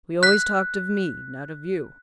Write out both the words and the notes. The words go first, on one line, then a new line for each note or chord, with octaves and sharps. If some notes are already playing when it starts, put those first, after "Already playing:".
We always talked of me, not of you.
F#6 B6